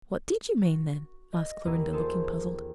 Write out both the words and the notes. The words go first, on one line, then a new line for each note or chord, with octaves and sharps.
"What did you mean, then?" asked Clorinda, looking puzzled.
F#4
D#5
D#2 E3 B3 D#4
F4 G#4 A4 C5